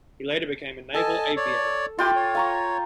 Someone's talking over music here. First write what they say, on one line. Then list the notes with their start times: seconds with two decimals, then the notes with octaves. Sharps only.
He later became a naval aviator.
0.94 A4 D#5 G#5 A5
1.36 C#5 D5
1.99 E4 F4 G4 G5 C6 D6
2.15 C#5
2.35 F5 A#5 C#6